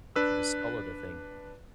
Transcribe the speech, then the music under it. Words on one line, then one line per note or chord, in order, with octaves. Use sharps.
in the skull of the thing.
D4 B4 E6